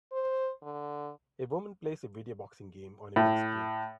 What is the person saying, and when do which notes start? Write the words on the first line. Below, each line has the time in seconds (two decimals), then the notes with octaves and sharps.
A woman plays a video boxing game on a big screen.
0.12 C5
0.63 D3
3.16 A2